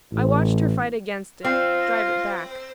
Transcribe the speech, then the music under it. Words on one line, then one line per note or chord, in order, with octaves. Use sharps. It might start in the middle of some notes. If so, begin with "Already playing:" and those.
I watched her fight against it, drive it back.
A1
C4 F4